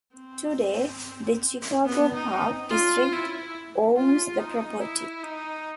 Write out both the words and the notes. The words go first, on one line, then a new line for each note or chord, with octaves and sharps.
Today, the Chicago Park District owns the property.
C4
B3
D#4
F4
E4
F4
D#4
E4
D#4